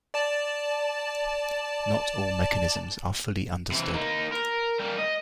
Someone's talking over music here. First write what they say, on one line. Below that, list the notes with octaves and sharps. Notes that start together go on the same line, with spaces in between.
Not all mechanisms are fully understood.
D5 A5
C3 E3
A#3 D#4
A#4
G3 A#3
D#5